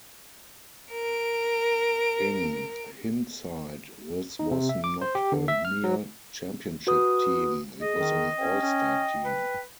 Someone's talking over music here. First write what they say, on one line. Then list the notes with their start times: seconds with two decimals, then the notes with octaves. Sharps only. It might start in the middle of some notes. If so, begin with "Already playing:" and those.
In hindsight, this was not a mere championship team; it was an all-star team.
0.92 A#4 D7
4.39 D#4
4.51 C3
4.69 E5
4.84 D6
5.02 C5
5.15 G4
5.32 D3
5.48 E5
5.65 F6
5.84 F#3
6.87 F#4 B4 D#6
7.82 G#4 D#5
8.00 D#3
8.38 C#4 G5
8.62 C#4
9.25 B4